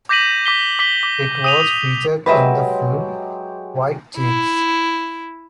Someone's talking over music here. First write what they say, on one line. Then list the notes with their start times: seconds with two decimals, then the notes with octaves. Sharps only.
It was featured in the film "White Chicks".
0.09 D6 G6 A#6 B6 D#7 F#7
0.46 D6 B6 G7
0.79 D6 B6 G7
1.03 D6
1.44 D#6 D#7 F7
1.60 F7
2.26 F#3 G#3 G4 B4 D#5 E5
4.17 E4